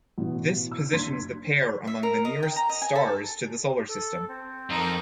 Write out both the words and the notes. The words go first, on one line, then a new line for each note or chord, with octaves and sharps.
This positions the pair among the nearest stars to the Solar System.
A1 B2
E6
F#1 D4 C6 G#6 B6
E5
A#4
D#5
G5
A#5
D#5
G#5
A4
A4
C4
F2 D#4 A#4